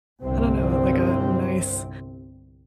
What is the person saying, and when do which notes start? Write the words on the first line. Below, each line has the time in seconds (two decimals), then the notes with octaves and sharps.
I don't know, like a nice
0.22 G1 C2 C3 C4